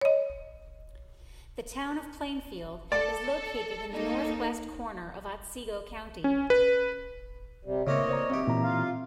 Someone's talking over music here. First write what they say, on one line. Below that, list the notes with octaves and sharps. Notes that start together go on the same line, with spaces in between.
The Town of Plainfield is located in the northwest corner of Otsego County.
C#5 D#5
A4 D5
A#3 D#4 A4
C#4
B4
C3 G3
A2 C#3 A#3 C4 C#5 D#5 E5
C5 D5 A#5
B1 C4 G4 E5
A#2 E3 A#5
F4 F5